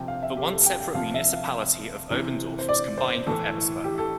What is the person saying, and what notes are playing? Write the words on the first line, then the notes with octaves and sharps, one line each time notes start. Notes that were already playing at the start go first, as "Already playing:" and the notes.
The once separate municipality of Oberndorf was combined with Ebersberg.
Already playing: C3 F3 G5
F5
E5
G4
A4
G5
G5
C3 F3 F5
E5
F5
C3 E3
C5
D5
C5
A2 E3 A4
G4
A4